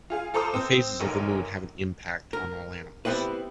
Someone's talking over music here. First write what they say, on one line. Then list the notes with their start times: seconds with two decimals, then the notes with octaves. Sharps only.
The phases of the moon have an impact on all animals.
0.10 F4 G#4 F5
0.34 F4 A4 C5 A#5 D6 D#6
0.54 C4
0.99 F1 B1 A#4
2.33 A#4
3.05 G3 B3 C4 E4 B4